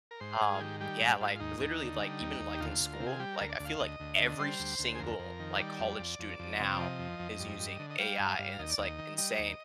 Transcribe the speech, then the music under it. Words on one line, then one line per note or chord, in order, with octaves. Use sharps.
um, yeah, like, literally, like, even, like, in school, like, I feel, like every single, like, college student now is using AI and it's, like, insane,
A#4
G#2 C5
G#2 G#4
F4
D#3 G4
G3 G4
G#2
G#2 F4
F4
D#2 D#4
D#2
D3
G3
D#2
D#2
G4
D2 F4
D2
A#4
C3
G#4
G3 G4
A#4
D2
D5
D2
F5
D2 D#5
D2
D3
G3 C5
D2
D2
G#4
F2 A#4
F2
D#3
G3 D5
F2
F2
F2
F2
C3
F3 D#5
F2
F2
G2
G2
D3
D#5
G3 F5
G2
G2
D#2 D#5
D5
D#2 D#5
D#3
G3 D#5
D#2